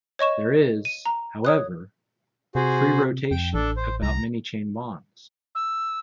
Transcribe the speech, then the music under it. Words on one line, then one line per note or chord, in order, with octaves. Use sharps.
There is, however, free rotation about many chain bonds.
C#5 D#5 C#6 E7
D#7
A#5
C#5 D#6 F#6
C3 F#4 G#4 C5
F2 G5
A1 D4 A4
C5
C2 A#5
E6